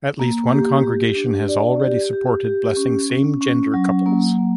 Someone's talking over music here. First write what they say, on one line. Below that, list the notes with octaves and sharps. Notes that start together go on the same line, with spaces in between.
At least one congregation has already supported blessing same-gender couples.
A#3
G4
G4
D4
D5
G4
G4
G4
C#4
C#4
C#4
F#3
A#3
A#3